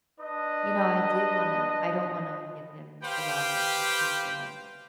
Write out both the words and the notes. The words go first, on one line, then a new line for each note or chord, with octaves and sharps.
you know, I do wanna I don't wanna give him the wrong expectation, like,
D4 B4 D#5
G4 B4 C5 F5 G5